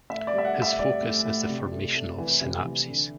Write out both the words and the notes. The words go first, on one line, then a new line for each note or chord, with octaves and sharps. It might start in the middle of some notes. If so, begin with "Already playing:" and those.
His focus is the formation of synapses.
A2 E5
D5
G3 E5
F#5
A2
E5
G3 D5
A2
A2
C3
A3
A3
E3
C3
E3
D3